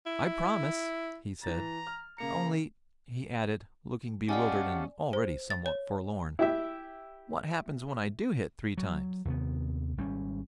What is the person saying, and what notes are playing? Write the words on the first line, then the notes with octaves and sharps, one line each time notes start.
"I promise," he said. "Only," he added, looking bewildered and already somewhat forlorn, "what happens when I do hit three times?"
E4
E3 A#5 A6
F6
C#3 A#3 A#5 C#7
C#4 G4 D5 D#5 F5 F#5 G#5 A5
C5
A6
C#5
E4 G4 E5
F#3
D#2 C3 B3
G#1 G3 C4 C#4